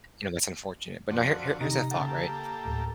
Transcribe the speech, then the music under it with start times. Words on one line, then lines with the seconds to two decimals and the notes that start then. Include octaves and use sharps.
you know, that's unfortunate. But now here here here's a thought, right,
1.10 F2 D3 F#4
1.60 C3 D#3 D#4 G4 A#5
1.91 C#3 A#3 G4 A4 F#5
2.65 D2 A2